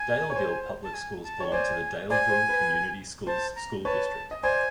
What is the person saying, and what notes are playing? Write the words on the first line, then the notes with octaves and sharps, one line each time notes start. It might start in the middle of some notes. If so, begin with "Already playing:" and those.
Daleville Public Schools belong to the Daleville Community Schools school district.
Already playing: G#5
C#5
C5
A5
G#5
A5
C#5
C5 D5 G#5
C5 D5 G#5
C5
B4
C5 A5
A#5
B4 C#5 A5
D#5
C5 D5 G#5